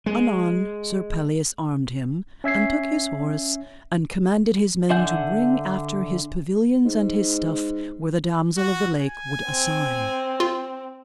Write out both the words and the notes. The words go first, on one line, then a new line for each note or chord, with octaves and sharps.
Anon Sir Pelleas armed him, and took his horse, and commanded his men to bring after his pavilions and his stuff where the Damosel of the Lake would assign.
G#3
C#4 E5 G#6 C7
D3 E5 F#5 G#5 G6
G#2
F#4
G#5
C4
F4